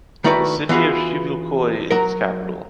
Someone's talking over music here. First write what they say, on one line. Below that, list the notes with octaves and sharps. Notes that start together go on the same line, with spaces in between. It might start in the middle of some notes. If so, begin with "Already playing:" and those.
The city of Chivilcoy is its capital.
D#3 A3 E4 F#4 B4 D5
E3 B3 F4 F#4 G#4
F#3 A#4